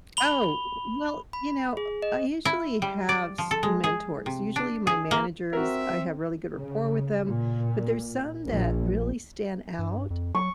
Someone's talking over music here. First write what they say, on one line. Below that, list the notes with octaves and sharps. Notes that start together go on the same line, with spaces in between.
Oh, well, you know, uh, I usually have s mentors. Usually my managers, I have really good rapport with them, but there's some that really stand out
B5 F7 G7
B5
G#4
D#5
E4
G3
D5
F3
A4
G#3
G#4
C3
D4
G#4
A#3
C4 F#4 A#4 E5
C#3
A#2
A#1
G2
F2
F#3 C#6